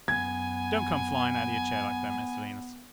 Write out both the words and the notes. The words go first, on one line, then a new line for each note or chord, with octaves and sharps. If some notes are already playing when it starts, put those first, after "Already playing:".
Don't come flying out of your chair like that, Mr Venus!'
F#2 B3 G#5 G#6